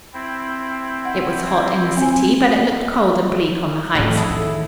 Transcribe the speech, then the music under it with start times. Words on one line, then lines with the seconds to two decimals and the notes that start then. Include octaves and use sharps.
It was hot in the city, but it looked cold and bleak on the heights.
0.13 C4 E4
1.05 F#5
1.97 C4 G#5
3.95 F2 A2 E3 F#3
4.17 E4 G#4 A4
4.31 D#3